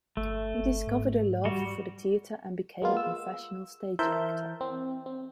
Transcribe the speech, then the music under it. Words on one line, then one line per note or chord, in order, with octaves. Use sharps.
He discovered a love for the theater and became a professional stage actor.
G1 A3
G1
G#2
G3 F#4
G#3 A#3 B3 F4
E6
E3 A#4 C5 E5 A5 G6
C4
C4